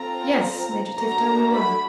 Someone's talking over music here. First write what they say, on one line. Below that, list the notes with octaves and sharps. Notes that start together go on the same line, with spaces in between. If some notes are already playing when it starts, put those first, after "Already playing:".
"Yes, Major Tifto, we were."
Already playing: C4 F4 A4 A#5
A3 D4 F#4 A4 A#5
B5